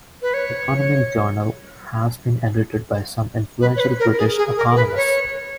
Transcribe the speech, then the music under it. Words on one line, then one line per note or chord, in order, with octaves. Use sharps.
"The Economic Journal" has been edited by some influential British Economists.
B4
C#5
B4
C#5
B4
A#4
G#4
G#4
A#4
B4
C#5